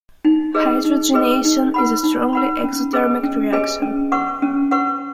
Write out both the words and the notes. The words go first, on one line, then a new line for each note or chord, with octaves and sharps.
Hydrogenation is a strongly exothermic reaction.
D#4
G#4 B4 D#5
D#4
G#4 B4 D#5
D#4
B4 F#5 B5
D#4
B4 F#5 B5
C#4
G#4 B4 D#5 G#5
C#4
G#4 B4 D#5 G#5
C#4
B4 F#5 C#6
C#4
B4 F#5 C#6